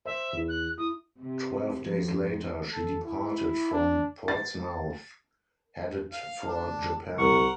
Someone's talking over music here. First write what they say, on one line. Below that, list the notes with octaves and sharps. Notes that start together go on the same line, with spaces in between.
Twelve days later, she departed from Portsmouth headed for Japan.
C5 E5
E2
F#6
E4 D#6
C3
F2
A4
E4
D4
A6
F5
D4
C2 A#4 F#5 C#6